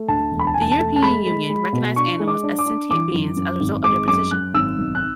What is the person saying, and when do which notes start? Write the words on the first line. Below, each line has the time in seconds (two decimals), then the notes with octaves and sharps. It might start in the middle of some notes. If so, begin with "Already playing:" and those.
The European Union recognised animals as sentient beings as a result of their petition.
Already playing: A3
0.08 D2 A5
0.32 E1
0.39 B5
0.47 A5
0.54 E1 G#5
0.61 A5
0.72 A5
0.78 A3
0.96 A5
1.02 G#3 B5
1.26 G#3
1.50 G#3
1.73 B2
1.96 D4 C#6
2.20 G#3
2.28 D6
2.43 D4
2.59 D6
2.66 D4
2.91 E3 D6
3.13 F#2
3.36 F#2
3.60 G#1
3.83 G#3 D6
4.08 F#2 D6
4.31 F#2 F#6
4.54 G#1 E6
4.78 B1
4.95 F#6